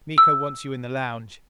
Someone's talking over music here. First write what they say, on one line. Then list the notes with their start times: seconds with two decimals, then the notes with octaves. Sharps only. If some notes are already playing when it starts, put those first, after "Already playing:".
"Miko wants you in the lounge."
0.18 E6